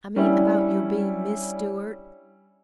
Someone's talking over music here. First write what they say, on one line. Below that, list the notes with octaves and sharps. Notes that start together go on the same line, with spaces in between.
"I mean, about your being 'Miss Stewart'?"
G3 C#4 D4 E4